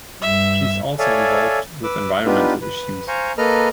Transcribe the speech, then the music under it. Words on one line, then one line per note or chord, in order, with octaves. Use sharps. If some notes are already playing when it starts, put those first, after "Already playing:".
She is also involved with environmental issues.
G2 E5
A4 C#5 D5 E5 F5 G#5
B4 D6 E6
B3 D4 D#4 F4 G4 B4
B4
C5 F5 G#5 A#5 C#6
A#3 A4 B4 D#5 A#5 F6